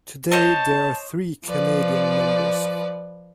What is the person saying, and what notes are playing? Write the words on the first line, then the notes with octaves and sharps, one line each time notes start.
Today there are three Canadian members.
C5 C#5 D#5 A5
F3 B4 D5